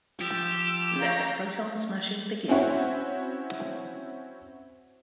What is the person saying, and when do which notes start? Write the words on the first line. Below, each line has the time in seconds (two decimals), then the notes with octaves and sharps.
Let the Proton Smashing Begin.
0.21 F3 G4 E6
0.99 C#5 F5 G5 A#5
2.48 C4 C#4 E4 F#4 C#5